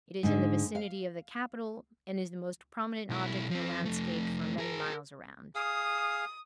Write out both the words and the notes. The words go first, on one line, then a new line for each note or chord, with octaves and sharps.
It is in the vicinity of the capital, and is the most prominent object in the landscape for many miles around.
G#2 D3
F5
B1 E4
F3 C4
F2 A3
G#4 A#4
G#4 F5 D#6